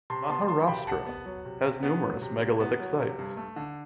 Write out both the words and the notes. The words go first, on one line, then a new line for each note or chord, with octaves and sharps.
Maharashtra has numerous megalithic sites.
C3 A5 C6
B3 A5 C6
F#3 A5 C6
C3 G5 B5
C3 F#5 A5
B3
F#3
C3
C3
B3
F#3
C3
C3
B3
F#3
C3
G2
A3
D3